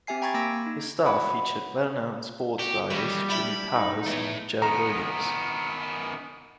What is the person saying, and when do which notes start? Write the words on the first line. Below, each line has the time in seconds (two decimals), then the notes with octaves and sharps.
His staff featured well-known sportswriters Jimmy Powers and Joe Williams.
0.07 C4 G4 E5 G#5 C7
0.22 G5 A#5 B5 C#6 G#6 A6
0.34 A#3 B5 D6 E6 A#6 D7
0.66 D#4
1.05 E4 F#4 B4 C#5
2.59 F#4 G4
2.91 D#3 E3 G3 C#5 B5
3.30 D4 E4 G4 B5
3.73 D#4
4.07 E2 A3 C#5
4.62 D#3 B3 A#5